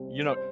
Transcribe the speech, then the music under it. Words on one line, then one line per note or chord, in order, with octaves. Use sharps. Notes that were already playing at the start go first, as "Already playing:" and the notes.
you know
Already playing: C2 C3 G3 C4
C5